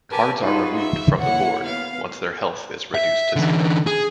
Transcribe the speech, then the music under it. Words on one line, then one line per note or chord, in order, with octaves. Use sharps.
Cards are removed from the board once their health is reduced to zero.
G4 A#4 B4 G#5 A5
D#4 F4 F#4 G#4 B4 C5
E5
A#3 E4 C#5 F#5
B3 F5
E5
D3 E3
G#4